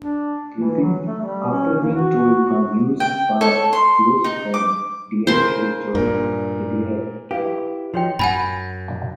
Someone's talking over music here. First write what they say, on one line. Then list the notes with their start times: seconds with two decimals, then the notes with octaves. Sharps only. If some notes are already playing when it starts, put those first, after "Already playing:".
Griffin, after being told the news by close friend DeAndre Jordan, declared, Yeah!
0.01 D4
0.57 E3
0.79 F#3
1.06 A3
1.21 G3
1.52 C#4
1.81 A#3
1.94 F#4
3.00 G5
3.41 A4 C#5
3.73 C6
4.24 D#4
4.54 D6
5.27 C#3 A#4 C5 C6
5.95 G2 A#2 A#4
7.31 E4 G4 B4 F5
7.94 F3 D#4 F#4 C#5 G5
8.19 F#2 F#5 G#5 B5